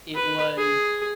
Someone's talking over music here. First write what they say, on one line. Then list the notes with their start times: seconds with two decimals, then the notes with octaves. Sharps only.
It was
0.15 B4
0.57 G#4